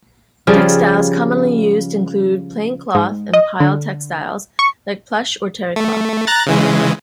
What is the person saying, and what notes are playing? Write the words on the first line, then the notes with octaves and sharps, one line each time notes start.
Textiles commonly used include plain cloth and pile textiles like plush or terrycloth.
C#3 F3 G3 G#4
G#2
D#5
D3
C#6
A3
A#5 F#6 A6
C#3 E3 G#3